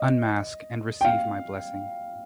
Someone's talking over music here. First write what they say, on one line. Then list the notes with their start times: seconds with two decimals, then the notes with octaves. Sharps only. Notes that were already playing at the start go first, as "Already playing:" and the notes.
Unmask, and receive my blessing.
Already playing: D#5
1.01 G5
1.05 F5